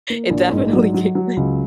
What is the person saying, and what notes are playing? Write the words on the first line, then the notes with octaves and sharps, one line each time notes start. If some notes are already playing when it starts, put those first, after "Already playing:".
it definitely kicked in.
A#3
A#1
G#2
F#3
F#3
F#3
C#2